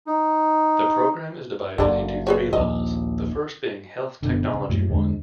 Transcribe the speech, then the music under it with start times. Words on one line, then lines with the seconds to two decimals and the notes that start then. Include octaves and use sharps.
The program is divided into three levels, the first being Health Technology One.
0.07 D#4
1.78 F#1 F#2 D3 D4
2.27 G#4 B4 C#5
2.53 A#1 D#2 D#5
4.23 F#1 B2 D3
4.54 C#3
4.69 F#2 A2
4.90 E2 D3 F#3 G#3